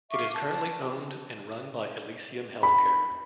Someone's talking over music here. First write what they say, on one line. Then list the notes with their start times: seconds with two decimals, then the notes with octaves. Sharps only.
It is currently owned and run by Elysium Healthcare.
0.11 E5 F5 C#6 D6
0.34 A5
2.63 B5